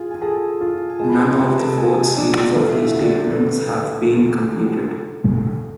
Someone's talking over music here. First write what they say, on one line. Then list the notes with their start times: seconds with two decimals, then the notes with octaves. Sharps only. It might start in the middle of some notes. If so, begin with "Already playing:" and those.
None of the fourth series of Restatements have been completed.
Already playing: F4 G#4
0.11 G#5
0.22 G#4 A4 A5
0.61 F4
0.90 G#5
0.99 G#3 A5
1.09 B5
1.19 C5 C6
1.39 C3 B4 B5
1.58 A4 A5
1.77 G#3 G#4 G#5
2.17 D4
2.55 A3 F4 F5
2.75 E4 E5
2.94 D3
3.02 D5
3.14 C4 C5
3.33 A3 B4